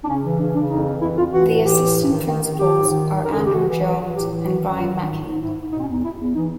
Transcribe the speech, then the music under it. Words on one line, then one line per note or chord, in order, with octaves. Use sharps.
The assistant principals are Andrew Jones and Brian Mackey.
D4
C#3 C#4
E3
C#3 D4
C#3 D4
F2 D#4
E3
F2 E4
F2 F4
E3 F#4
A2
E3 G4
A2
G2
D#3
D#3
D#3
D#3 G4
G#2
D#3
G#2
F#2 A#4
A4
C#3 G#4
G4
E3 F#4
E3
E3
E3
A2 G4
E3
D#3 F#4
F#2
D#3 F4
D#3
G#2
G#2
G#2 E4
G#2
B2 D#4
C4
C#4
E2
D#4
B2 E4
E2
E3 D#4